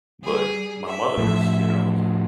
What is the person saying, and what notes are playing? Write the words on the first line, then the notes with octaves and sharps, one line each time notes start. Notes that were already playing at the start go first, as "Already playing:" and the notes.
but my mother was, you know, the
G3 G#4
E5
A2 F3